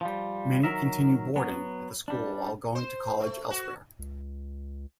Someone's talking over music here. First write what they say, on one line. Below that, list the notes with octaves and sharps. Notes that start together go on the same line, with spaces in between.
Many continue boarding at the school while going to college elsewhere.
F3 G3
D#3 F#3 A#4 E5
F#3 B3
G3 D4
C5
A3
F#4
C#2